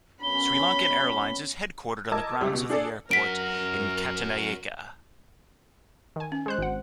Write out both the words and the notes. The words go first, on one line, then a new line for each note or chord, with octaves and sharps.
SriLankan Airlines is headquartered on the grounds of the airport in Katunayake.
F#2 B3 C#4 B5 G7
A#4 D#5 A5 D6 E6 G#6
C#2 G3
B2
D4 G#4 A4 D5
C#4 F#4 A#4 B6 D7
D#3 G#5
C#4
G#3 C5 F#6
G#1 F#5